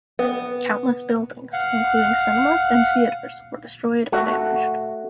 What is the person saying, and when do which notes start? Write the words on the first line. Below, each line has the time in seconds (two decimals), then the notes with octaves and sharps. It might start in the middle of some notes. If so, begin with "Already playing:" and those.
Countless buildings including cinemas and theaters were destroyed or damaged.
0.19 B3
1.53 F5 F#5
4.12 A3 F#4